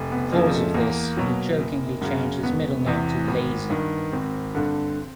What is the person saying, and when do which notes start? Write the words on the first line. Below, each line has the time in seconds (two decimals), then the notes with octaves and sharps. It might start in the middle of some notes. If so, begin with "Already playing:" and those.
Because of this, he jokingly changed his middle name to "Lazer".
Already playing: F1
0.11 B3
0.32 F2 C#3 F3 A#3
0.53 A3
0.74 E2 A#3
1.17 B2 F#3
1.58 F#1
2.01 F#2 C#3
2.43 E1 B3
2.86 E2 C3 E3
3.28 G#1
3.70 G2 D#3
4.12 G#1 C4
4.54 G2 D3